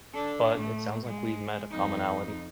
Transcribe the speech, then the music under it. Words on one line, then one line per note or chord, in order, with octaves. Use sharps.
but it sounds like we've met a commonality.
D4 A4
A2 A3
G#3
F2 D#4